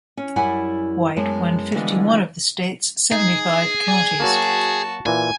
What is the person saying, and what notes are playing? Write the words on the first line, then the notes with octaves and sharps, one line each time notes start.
White won fifty-one of the state's seventy-five counties.
C#4
F#2 G3 E4 F#5 G#5
F#2 G#3 B3 A5
D3 E3 F3 G3 G#3 B3
D#4 G#4
D5 G#5
F#3 A#3 F#4 A5
A#2 E3 G#5